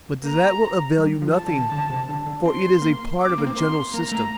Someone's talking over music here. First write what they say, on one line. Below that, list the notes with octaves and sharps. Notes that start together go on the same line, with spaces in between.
But that will avail you nothing, for it is a part of a general system.
A#3 A#5
G3
F3
A5
D3
D3
C3
D3
D3
C4 C6
A#3
D6
C4
A#3
C4
A#3 C6
A#3 A#5
A3